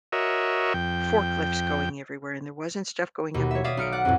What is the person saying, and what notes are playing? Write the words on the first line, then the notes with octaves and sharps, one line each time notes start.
forklifts going everywhere, and there wasn't stuff going up into
F#4 A#4 C#5 D#5 E5
F2 G5
D#2 B2
C#5 E5
D5 E5 F5 D#6
B1 F6 C#7 D7
D5 F#5 F#6
F2 A2